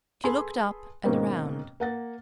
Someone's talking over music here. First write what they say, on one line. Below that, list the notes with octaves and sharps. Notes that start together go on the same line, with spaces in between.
She looked up and around.
G#4 A4 B4 G#5 B5 C6
G#2 B2 D#3 A#3 C4 C#4
A#3 F#5 A6